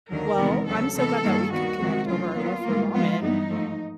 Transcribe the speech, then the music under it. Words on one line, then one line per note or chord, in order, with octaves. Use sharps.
Well, I'm so glad that we could connect over our love for ramen.
D#2 D3 F#3 A#4
E2 C3 D#3 G#3 B3
D2 C#3 F#3 A4
C3 E3 G#3 B3 A4
G2 D#3 G3 A#3
D#2 D#3 G3 B3 F#4
F2 C3 D#3 G#3
D2 C#3 F#3 F4
A#2 F#3 B3
G#2 E3 G3 A#3
G#2 F3 G#3 B3 F4
G2 E3 G3 B3 D#4
G#2 F3 A3